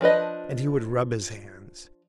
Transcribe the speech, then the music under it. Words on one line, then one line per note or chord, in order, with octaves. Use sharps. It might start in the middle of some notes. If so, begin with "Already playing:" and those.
And he would rub his hands.
F3 D4 B4 D#5